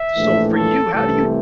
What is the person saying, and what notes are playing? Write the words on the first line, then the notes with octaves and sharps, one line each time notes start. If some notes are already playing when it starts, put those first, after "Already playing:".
So, for you, how do you
Already playing: E5
A#1 A2 E3 A3
A4
C2 C3 E3 A3 A4